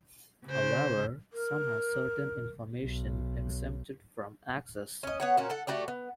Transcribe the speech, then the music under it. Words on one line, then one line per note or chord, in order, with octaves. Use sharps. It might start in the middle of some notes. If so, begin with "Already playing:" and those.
However some have certain information exempted from access.
C#3 C5
A#4
B1
C#4 D#5
B3 C#5 F#5
A#2 C#4 F#4
A4 F#5
A3 F#4 G4 D5
B3